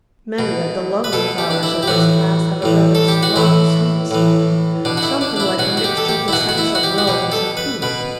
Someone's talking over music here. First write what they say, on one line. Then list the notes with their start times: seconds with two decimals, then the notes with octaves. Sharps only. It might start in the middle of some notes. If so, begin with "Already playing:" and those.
Many of the lovely flowers in this class have a rather strong, sweet smell, something like a mixture of the scents of Rose and Tulip.
0.39 B2
1.04 B4
1.12 B2 A4
1.38 G4
1.51 D4
1.63 E4
1.83 G4
1.87 A2 E3 F#4
2.62 A2 E3
2.95 A4
3.08 G4
3.23 F#4
3.36 A2 E3 E4
4.11 A2 E3
4.85 B2 D4
4.97 F#4
5.03 E4
5.21 D4
5.36 D4
5.40 E4
5.58 B2 F#4
5.77 F#4
5.84 G4
5.97 A4
6.09 G4
6.28 E4
6.33 B2 F#4
6.49 F#4
6.58 E4
6.75 F#4
6.83 G4
6.98 F#4
7.08 B2 G4
7.32 A4
7.57 B4
7.82 B2 B4